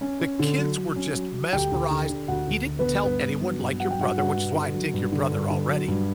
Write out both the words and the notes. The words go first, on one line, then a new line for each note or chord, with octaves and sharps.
The kids were just mesmerized. He didn't tell anyone like your brother, which is why I dig your brother already,
C#4
C#4
D3
F#3
F#3
C#4
F#3
F#3
D2 G4 G5
D2
D3
D3
D2 F#4 F#5
D2
D3
B3 B4
D2
G2 B3 B4
G2
F#3
G2
F#3 F#5
G5
G2 F#4 F#5
G2 F#4 F#5
G2
D3
F#3
G2
D3
G2
D3
F#3
G2